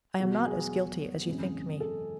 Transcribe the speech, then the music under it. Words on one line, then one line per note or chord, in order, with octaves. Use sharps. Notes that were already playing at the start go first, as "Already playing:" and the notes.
I am not as guilty as you think me.
E1 E2 B2 F#3 F#4
G#4
G#1 F#2 C#3 E3
A4